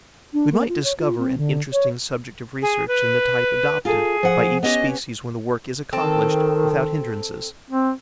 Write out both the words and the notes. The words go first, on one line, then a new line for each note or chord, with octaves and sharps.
We might discover an interesting subject of research in the type adopted by each species when the work is accomplished without hindrances.
D4
A#3
F4
C#5
F4
C4
D3
C#5
G#4
B4
F4 G#4 A4
F3 F#5
B3 C#4 G4 D#5
D#3 C4 A4
C4